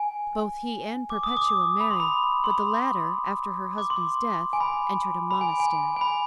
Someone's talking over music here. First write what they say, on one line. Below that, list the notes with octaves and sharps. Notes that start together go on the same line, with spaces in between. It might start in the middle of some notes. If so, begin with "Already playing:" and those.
Both he and Perpetua married, but the latter after her husband's death entered a monastery.
Already playing: G#5
D6
D#6
D6
B5
C6
B5
C6
B5
D6
C6
G#5
B5
B5
G#5
G#5
G#5
B5